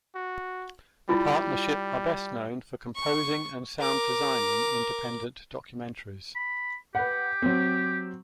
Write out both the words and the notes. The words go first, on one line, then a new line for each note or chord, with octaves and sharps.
The partnership are best known for composing and sound designing independent documentaries.
F#4
G3 E4 F4
C#6
A#4 D6
B5
G4 B4 F#5
F#3 C4